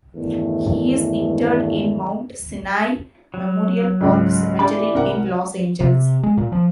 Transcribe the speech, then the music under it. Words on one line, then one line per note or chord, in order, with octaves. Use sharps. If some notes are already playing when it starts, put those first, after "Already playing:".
He is interred in Mount Sinai Memorial Park Cemetery in Los Angeles.
E2 G2 D#3 E3 A3
F#3
C#2 G#2
E3 D4 G4 D5 B5
C2 A#4 F#5
C3
G#3
A#2
F3